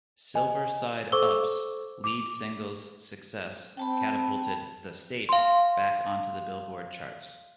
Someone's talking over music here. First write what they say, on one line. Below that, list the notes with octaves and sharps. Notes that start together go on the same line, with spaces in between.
"Silver Side Up"'s lead single's success catapulted "The State" back onto the Billboard charts.
D#5 G#5
A4 C5 C#6 D6 E6 G7
D6 F7
C4 G5 A5 B5
F5 C6